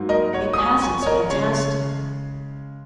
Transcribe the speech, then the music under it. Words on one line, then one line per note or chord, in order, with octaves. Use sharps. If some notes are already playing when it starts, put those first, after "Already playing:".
Because it's fantastic.
Already playing: G#2 F#3 A#3
A#4 D#5
C#5 F#5
D#6
G#5 C#6
G#5 C#6
C#5
A#4 D#5
C#3 G#3 G#4 C#5